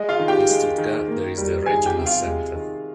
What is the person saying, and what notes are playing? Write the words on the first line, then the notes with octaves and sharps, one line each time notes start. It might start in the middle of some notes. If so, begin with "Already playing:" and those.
In Stuttgart there is the "Regional Center".
Already playing: G#3 D#5
F4 F5
D#3
G4 G5
G#3
D#3
A#3
G3
D#3 G#4 G#5
G4 G5
C3
F4 F5
G#3
D#3